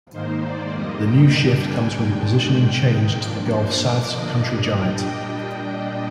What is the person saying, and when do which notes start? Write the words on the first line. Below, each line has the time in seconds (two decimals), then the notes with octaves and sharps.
The new shift comes with a positioning change to "The Gulf South's Country Giant".
0.12 G#2 D#3 A#3 D#4 C5
0.43 D5
0.75 F2 C3 G3 A#3 D#5
1.05 G5
1.35 G2 D3 G3 D4
1.67 G#5
1.96 D#2 D#3 G#3 D4 G5
2.28 G5
2.58 G#2 D#3 G#3 G5
3.20 G2 F3 A#3 D4
3.51 C5
3.81 D3 F3 A#3 D4 D5
4.13 D#5
4.42 A#2 G3 D4 D#5
4.74 G5